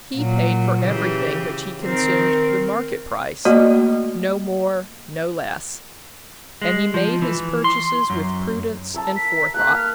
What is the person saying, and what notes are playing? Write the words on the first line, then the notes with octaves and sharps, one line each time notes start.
He paid for everything which he consumed the market price--no more, no less--and he made his purchases with prudence and forethought.
A#2 F#3
C#3 E3 G4
D#3 C4 A#4
A3 A#3 F#4 D5 D#5
G#3
F3
E3
C6
F#2
A#4 E5 A5
B6
A#3 A#4 F#6
F6